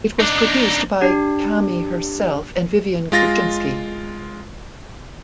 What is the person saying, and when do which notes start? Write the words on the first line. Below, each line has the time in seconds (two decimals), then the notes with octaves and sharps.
It was produced by Caymmi herself and Vivian Kuczynski.
0.20 D4 D#4
1.01 D4 G4
3.12 G#3 F4 A6 A#6